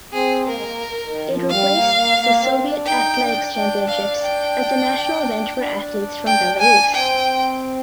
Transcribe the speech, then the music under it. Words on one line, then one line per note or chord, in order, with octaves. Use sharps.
It replaced the Soviet Athletics Championships as the national event for athletes from Belarus.
C4 G#4
A#3 A#4
G#3
A#3
D#3
F3
G3 F5
A#3
A#3
A#3
C4
D4
D#4 G5
D4
D4 G5
F5
G5
D4
G5
G#5
C4 G5